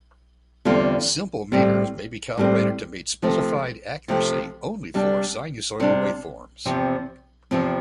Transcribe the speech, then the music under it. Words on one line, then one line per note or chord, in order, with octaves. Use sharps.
Simple meters may be calibrated to meet specified accuracy only for sinusoidal waveforms.
E2 D3 G3 C4 F4
A2 G3 C4
A2 G3 C4
C3 F3 A3 C4
C3 F3 A3 C4
C3 G3 D4
C3 G3 D4
E2 C3 F3 C4
E2 C3 F3 C4